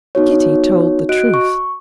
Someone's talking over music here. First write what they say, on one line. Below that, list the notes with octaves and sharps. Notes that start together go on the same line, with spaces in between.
Kitty told the truth.
B3 D#4 F#4 C#5
F#4 D#5 F#6 D7
C#6